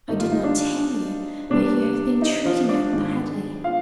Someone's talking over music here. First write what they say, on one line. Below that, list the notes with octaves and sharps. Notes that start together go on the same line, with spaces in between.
I did not tell you, but you have been treating her badly.
G#2 D#3 G3 D#4
F4
D#4
D4
C3 G3 D4
D#4
F3 F4
D4 D5
G#2 D#3 G#3
F4 F5